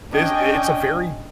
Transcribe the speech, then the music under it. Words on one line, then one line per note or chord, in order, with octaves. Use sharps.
this it's a very
C#4 D4 D#5 G5 G#5